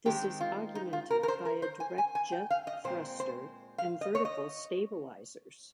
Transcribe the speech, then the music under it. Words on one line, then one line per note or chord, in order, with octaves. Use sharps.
This is augmented by a direct jet thruster and vertical stabilisers.
D#3 G#3 C4 G4
F4
D#4
F4
A#4
A#4
C5
A#4
C5
G#5
G#5
G#5
G5
F5
D#5
A#2 G#3 C4 C5
C5
F5
D#5
C#5
D#5